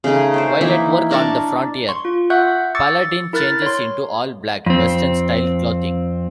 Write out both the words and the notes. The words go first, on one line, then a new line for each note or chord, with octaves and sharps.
While at work on the frontier, Paladin changes into all-black western-style clothing.
C#3 A3 D#4 G#4
C5 C#5 G5
E3 A#3 D#4 E4
D4 A#4 A5 C#6
C6 C#6
F4
E5 F#5 C#6 F#6 G6
C#6 D6 E6 A6 C#7
E4 A#4 F6 F#6 A6
C#5 C6
F2 C4